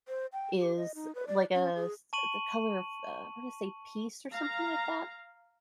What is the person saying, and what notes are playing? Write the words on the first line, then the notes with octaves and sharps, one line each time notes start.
is like a s the color of, uh, I wanna say peace or something like that.
C5
G5
G4
D#5
D#4
B4
D5
C#4
G#4
A5 C#6 D#7 F#7
F5 A#5